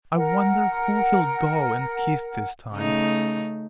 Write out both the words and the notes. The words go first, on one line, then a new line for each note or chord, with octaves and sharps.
I wonder who he'll go and kiss this time.
A#4 F#5
C#3 A3 D#4